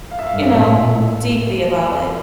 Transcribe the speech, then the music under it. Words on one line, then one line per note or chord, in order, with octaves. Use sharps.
you know, deeply about it.
F5
E5
F5
G2
E5
A2
A#2
A2